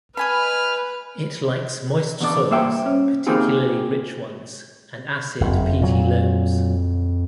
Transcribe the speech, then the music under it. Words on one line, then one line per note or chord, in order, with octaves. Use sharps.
It likes moist soils, particularly rich ones, and acid peaty loams.
B4 D#5 G#5 B5 F6
E2 B2 D4 D5
G2 A#3 C5 E5 G5
C#4
A#3 C4 D#4 G4 G#4
F#1 F2
A#2 F#3